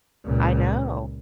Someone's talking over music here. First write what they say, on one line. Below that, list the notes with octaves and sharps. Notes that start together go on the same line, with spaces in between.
I know.
C#2 A#2